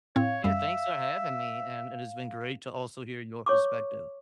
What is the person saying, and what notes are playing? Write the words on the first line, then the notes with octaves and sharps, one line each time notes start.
Yeah, thanks for having me, and it has been great to also hear your perspective.
A2 C4 C#5 F5
F#2 G3 E5 F5
C#5 C#6 D6